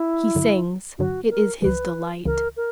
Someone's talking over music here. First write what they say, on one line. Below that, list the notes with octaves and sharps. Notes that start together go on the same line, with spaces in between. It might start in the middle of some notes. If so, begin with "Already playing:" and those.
He sings; it is his delight.
Already playing: E4
G2 D3 F#3
G2 D3 F#3 F#4
A#4
C#2 C#3 E3 B4
C#2 C#3 E3 A#4
A#4